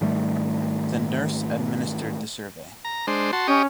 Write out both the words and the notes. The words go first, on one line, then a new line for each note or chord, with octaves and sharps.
The nurse administered the survey.
G#2 D#3 G3 A3
A#5
G#3 D4 C5
F#4 A5 C6
C#4 G4 C#5 D#5